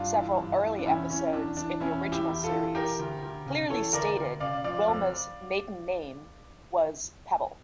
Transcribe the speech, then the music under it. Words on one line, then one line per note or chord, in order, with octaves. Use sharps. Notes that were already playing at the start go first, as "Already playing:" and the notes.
Several early episodes in the original series clearly stated Wilma's maiden name was Pebble.
Already playing: G2 D4 F4
E3
G2
E3
D4
E2 C#4 E4
E3 C#4
E2 D4
E3 D4
E2 C#4 E4
E3
E4 G4
E2
F4 A4
E3
E3 G4 A#4
D2
D2
C#3
E3 A4 C#5
D2 A#4 D5
D2
C#3 D5 F5
F3 D5 F5
F2